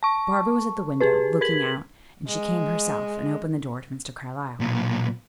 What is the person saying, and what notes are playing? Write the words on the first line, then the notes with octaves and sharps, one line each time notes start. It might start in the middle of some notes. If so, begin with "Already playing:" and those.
Barbara was at the window, looking out, and she came herself and opened the door to Mr. Carlyle.
A5 C#6
G4 G#4 B4
A#4 G#6 B6 F#7
G#3
B1 A#2